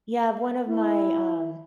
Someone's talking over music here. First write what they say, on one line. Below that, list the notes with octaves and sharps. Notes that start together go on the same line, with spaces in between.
Yeah, one of my, um
E4